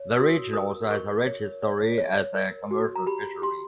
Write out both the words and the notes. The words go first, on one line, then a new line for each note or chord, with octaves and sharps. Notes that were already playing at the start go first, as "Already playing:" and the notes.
The region also has a rich history as a commercial fishery.
Already playing: C#5
E6
F#4 D#6
A#4 D#6
A#4 C#6
C#5
C#5
C#5
A#4
F#4
A#5
G4 B5
G4 C6